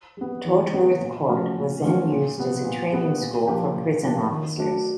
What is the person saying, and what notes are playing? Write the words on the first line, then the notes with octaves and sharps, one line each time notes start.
Tortworth Court was then used as a training school for prison officers.
G3 B3
E3
G3 B3
A#2
F3 A3 C#4 F#4
A#2
F3 A3 C#4 F#4
A#2
G3 B3
A#2
G3 B3
A#2
F3 A#3 D4 G4
A#2
F3 A#3 D4 G4
D#3
F#3 A3 D4